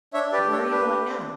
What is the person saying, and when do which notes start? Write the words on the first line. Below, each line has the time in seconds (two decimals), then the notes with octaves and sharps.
'But where are you going now?
0.14 D4 C#5 E5
0.32 G4 B4 D5
0.52 D4 A4 C#5
0.71 D4 B4
0.91 G4
1.10 D4